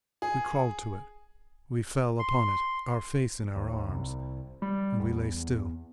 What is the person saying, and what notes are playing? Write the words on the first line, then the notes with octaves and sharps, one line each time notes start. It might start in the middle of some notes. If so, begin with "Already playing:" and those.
We crawled to it, we fell upon it, our face in our arms, and we lay still.
G#4
C6
D#2
C2
G3
E2